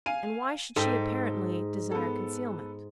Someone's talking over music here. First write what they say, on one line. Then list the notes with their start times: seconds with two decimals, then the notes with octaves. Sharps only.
And why should she apparently desire concealment?
0.06 F5 G#5 D#7
0.76 G#2 A4 G5
1.91 B3 A4